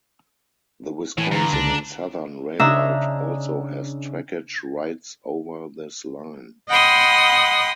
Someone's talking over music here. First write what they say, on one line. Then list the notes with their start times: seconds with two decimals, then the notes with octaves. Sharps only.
The Wisconsin and Southern Railroad also has trackage rights over this line.
1.18 A2 E3 B4 G#5
1.31 G2 D3 A#5
1.53 C#2 D4
2.59 C#3 D4 D#4 E5 A#5 E6
6.69 D#5 F#5 G5 B5 C6 D#6